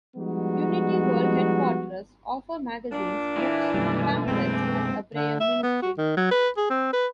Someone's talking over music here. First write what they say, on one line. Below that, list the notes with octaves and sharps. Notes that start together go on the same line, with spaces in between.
Unity World Headquarters offer magazines, books, pamphlets and a prayer ministry.
F3 G3 G#3 B3 D#4 F#4
A#2 D4
E3 E4
F#2 B2 D#3 G3 A3 A#3
F#2 G#3 C4
D3
E5
B3
F#4
D#3
F#3
B4
G#4
C4
B4